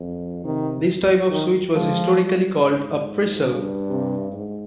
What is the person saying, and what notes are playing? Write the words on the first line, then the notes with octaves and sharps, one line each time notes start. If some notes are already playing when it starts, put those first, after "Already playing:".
This type of switch was historically called a "pressel".
Already playing: F2
C3 D#3
D#3
F3 G#3
G3
G#2
G2 C#3
C3
G#2